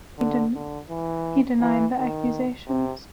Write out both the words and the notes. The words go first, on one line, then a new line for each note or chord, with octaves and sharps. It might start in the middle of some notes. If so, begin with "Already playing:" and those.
He denied the accusations.
D3
D3
E3
E3
D#3
C3